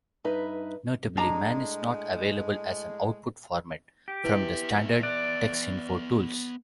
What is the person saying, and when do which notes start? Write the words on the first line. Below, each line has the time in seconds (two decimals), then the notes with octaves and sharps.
Notably, man is not available as an output format from the standard Texinfo tools.
0.24 G2 D#4 B4 E5
1.17 A2 G#3 D4 A#5
4.08 G4
4.24 B3 E4 B4 E5
5.03 D5 F#6